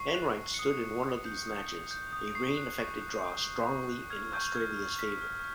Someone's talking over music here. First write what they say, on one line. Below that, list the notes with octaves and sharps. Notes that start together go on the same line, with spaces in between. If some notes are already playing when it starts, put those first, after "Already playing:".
Enright stood in one of these matches, a rain-affected draw strongly in Australia's favour.
Already playing: C#6 C7
F#6
C#6
C#7
D#6 C7
D#6
D#6
G6
D#6
D#6
G6
D#6
C#6 C7
F#6
C#6
F#6
C#6
C#6
C#6
F#6
F6 G#6
C#6 G6
F6 G#6
F6
F6 B6
F6